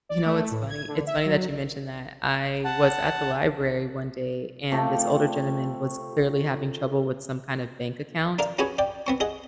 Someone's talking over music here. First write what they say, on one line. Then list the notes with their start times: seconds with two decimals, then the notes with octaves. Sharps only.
You know, it's funny it's funny that you mentioned that. I was at the library one day and this older gentleman was clearly having trouble with some kinda bank account
0.09 D5
0.26 A3
0.51 A2
0.70 G#6
0.88 D3
1.07 E5
1.26 F#3
2.65 F#5 A5
4.72 C3 F3 A3
8.39 D4 A#4 F5
8.59 C#4 F#4 G#4 B4 G#5 C#6
8.78 D5 G5
9.07 B3 C4 C#6
9.20 G#4 D#5 F#5